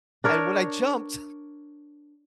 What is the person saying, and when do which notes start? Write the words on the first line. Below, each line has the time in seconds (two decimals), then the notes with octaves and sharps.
and when I jumped,
0.24 D4 A#4 C#5